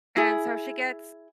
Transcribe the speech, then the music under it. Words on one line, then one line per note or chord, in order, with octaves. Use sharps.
and so she gets
E4 G#4